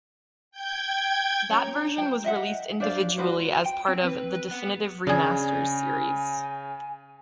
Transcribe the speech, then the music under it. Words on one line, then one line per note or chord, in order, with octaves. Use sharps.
That version was released individually as part of "The Definitive Remasters" series.
G5 G6 G#6
C#4 A#5
C5 G5
D#5 E5 F#5
D4 C5 D5 F5
F#4 B4 C5
G5
C4
B4
B3
C#3 D4 G#4 G#5